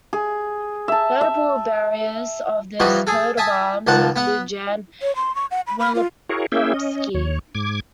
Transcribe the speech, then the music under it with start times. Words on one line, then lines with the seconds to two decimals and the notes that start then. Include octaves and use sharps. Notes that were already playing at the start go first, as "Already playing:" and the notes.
Notable bearers of this coat of arms include Jan Wielopolski.
0.13 G#4
0.88 E5 A5
1.21 E5
2.80 E3 F3 G3 D#4 F#4
3.07 G#4 A4
3.37 E5 G#5 A5 D#6
3.87 C#2 D#3 F3 F#5 A5
4.16 B3 F#5
5.02 C#5
5.16 C6
5.35 C#6
5.51 F#5
5.67 B5
5.79 B5
5.95 F4
6.29 E4 F#4 G#4 A#4 C#5
6.52 A#3 C#4 E4 G#4 E5 G5
6.74 C#4 D#5
7.15 D#2 C#5
7.55 G#2 D6 G#6